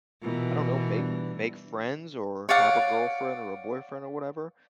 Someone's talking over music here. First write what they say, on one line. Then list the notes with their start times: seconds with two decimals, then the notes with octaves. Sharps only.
I don't know, make make friends or have a girlfriend or a boyfriend or whatever,
0.22 B2 E3 A#3 B3 F4
0.96 G3 B3 D4
2.49 C#5 D5 F5 F#5